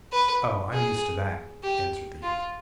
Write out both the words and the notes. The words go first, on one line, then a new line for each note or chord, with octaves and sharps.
'Oh, I am used to that,' answered the youth.
B4
G#4
G4
F4